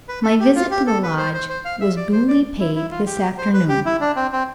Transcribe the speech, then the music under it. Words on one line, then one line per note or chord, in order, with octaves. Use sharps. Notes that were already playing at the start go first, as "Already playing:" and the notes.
My visit to the Lodge was duly paid this afternoon.
B4
A4
G4
F4
G4
A4
B4
C5
C5
C5
F5
E5
D5
C5
D5
E4
E4
F4
G4
C5
B4
G4
E4
D4
C4
C4